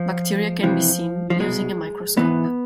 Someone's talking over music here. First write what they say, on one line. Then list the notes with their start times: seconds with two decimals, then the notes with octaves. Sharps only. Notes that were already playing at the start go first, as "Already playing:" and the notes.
Bacteria can be seen using a microscope.
Already playing: F3
0.62 F2 C3 E3 F3
1.30 F3
1.40 C2 B2 G#3
2.17 G#2 E3 B3